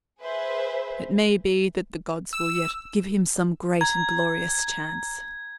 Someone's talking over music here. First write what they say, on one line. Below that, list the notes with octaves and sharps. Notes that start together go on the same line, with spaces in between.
It may be that the gods will yet give him some great and glorious chance.
G#4 B4 C5 E5
E6
A#5 G#6